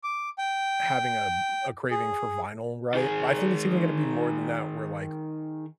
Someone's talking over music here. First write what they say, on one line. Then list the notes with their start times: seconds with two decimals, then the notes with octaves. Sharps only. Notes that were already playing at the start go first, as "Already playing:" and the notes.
having a a craving for vinyl, right? But I think it's even gonna be more than that where, like,
0.04 D6
0.38 G5
1.91 G#4
2.94 D#3 G#4